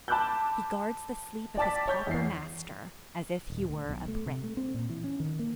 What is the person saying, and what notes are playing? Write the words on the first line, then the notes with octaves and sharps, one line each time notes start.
He guards the sleep of his pauper master as if he were a prince.
A5 B5 D6 E6 F#6 G6
D5 G5 A5 D6 A6 B6
C#5 C#6 G6
E2 E3 C7
D#1
D2
B1
A3
C3
A3
C4
A#2
E3
C#4
D#3
A#3